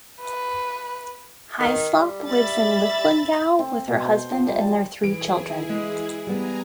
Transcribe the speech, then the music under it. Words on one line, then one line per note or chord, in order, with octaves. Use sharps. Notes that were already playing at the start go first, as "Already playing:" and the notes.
Hyslop lives in Linlithgow with her husband and their three children.
B4
D#3
G3
E5 B5 A6
C4
B2
C5
F3
G3
A5
E3 E4 G#4 D7
G#3
G3 B3 G#5 A#5